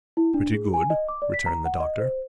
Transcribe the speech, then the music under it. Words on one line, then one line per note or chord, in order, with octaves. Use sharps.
"Pretty good," returned the Doctor.
E4
D4
G#4
G#5
D#5
D6
D5
B6
A#5
F#5
D#5
C5